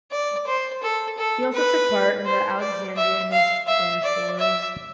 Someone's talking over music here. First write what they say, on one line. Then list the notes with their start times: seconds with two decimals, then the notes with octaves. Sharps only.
He also took part in the Alexandrian and Spanish wars.
0.11 D5
0.47 C5
0.83 A4
1.18 A4
1.54 B4
2.25 C5
2.60 D5
2.96 E5
3.32 F5
3.68 E5
4.04 D5
4.39 E5